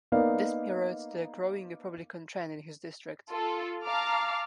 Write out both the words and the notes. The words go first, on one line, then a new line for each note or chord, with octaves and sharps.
This mirrored the growing Republican trend in his district.
A#3 B3 D#4 D5 D#5 F5
F4 A4
F5 A5 A#5 D6 F6